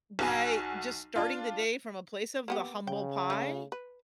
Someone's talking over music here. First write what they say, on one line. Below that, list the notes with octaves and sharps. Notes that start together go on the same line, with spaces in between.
by just starting the day from a place of the humble pie,
B1 F#4 G#5
D4 F4
A#3 B3 G4
C#3 G5
A3 C#4 G#4
B4